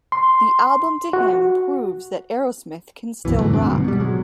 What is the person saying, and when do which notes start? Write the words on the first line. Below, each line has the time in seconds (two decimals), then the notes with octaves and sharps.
The album, to him, proves that Aerosmith can still rock.
0.12 C6
1.13 F#4
3.25 C2 F#2 B2 E3
3.38 A2 D3 F#3 A3
3.53 E1 G#2 C3 D4
3.67 G1 F#2 B2
3.84 B2 G3
4.00 B2 F#3 G#3